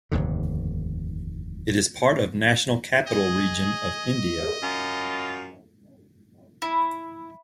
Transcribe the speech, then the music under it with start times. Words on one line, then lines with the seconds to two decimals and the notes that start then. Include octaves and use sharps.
It is part of National Capital Region of India.
0.12 F1 D#2 G#2 D3
3.07 G#4 D#5
4.62 F#2 F4
6.62 E4